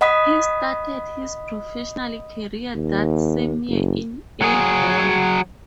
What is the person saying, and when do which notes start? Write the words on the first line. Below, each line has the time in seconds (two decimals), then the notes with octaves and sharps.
He started his professional career that same year in A-ball.
0.01 D#5 F#5 B5 D#6 B6
2.75 D#2
3.68 F#1
4.42 F#3 G#4